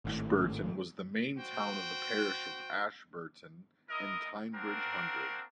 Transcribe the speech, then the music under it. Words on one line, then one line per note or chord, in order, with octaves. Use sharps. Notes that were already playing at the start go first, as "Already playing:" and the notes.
Ashburton was then the main town of the Parish of Ashburton, in Teignbridge Hundred.
G#1 A2
F#4 C5 G5
E4 A#4 D#5
A#3 C4 D4 F#4 A#4